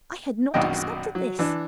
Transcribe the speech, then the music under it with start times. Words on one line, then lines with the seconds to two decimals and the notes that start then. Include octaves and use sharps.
'I had not expected this.
0.54 A#1 F#2 B2 D#3 D#5 G5
1.15 F#3
1.39 E3 D4